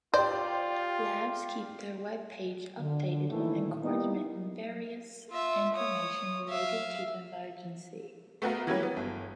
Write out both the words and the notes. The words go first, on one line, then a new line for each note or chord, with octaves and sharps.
Labs keeps their webpage updated with encouragement and various information related to the emergency.
F4 G4 C5 D5
D3
A#2 D#3 E3 A3 E4
G3 A#3 B3 D#4 E4
F4 E5
C#5 D#6
E5 F5
A3 B3 F#4 A#4 F5
E3 F#3 G3 A#3 C#4
B3
G1